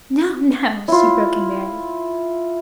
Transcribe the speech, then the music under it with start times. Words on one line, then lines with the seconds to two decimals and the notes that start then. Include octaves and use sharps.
"No, no!" she broke in merrily.
0.88 E4 F4